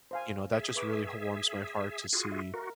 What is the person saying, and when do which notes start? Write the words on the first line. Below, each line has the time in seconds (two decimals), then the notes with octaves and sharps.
you know, that just really h warms my heart to see
0.11 C5 F5 G#5
0.53 G#4 E5
0.76 B4 C#6 D6
2.13 F4 F#4 G#4
2.32 E5
2.54 F#4 A#4